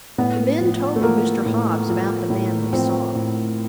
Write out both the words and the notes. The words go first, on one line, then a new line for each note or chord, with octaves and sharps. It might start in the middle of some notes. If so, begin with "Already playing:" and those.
The men told Mr. Hobbs about the man we saw.
A2 B3
F3
A3
F3 A#3
A2
F3
A2
F3 C4
A2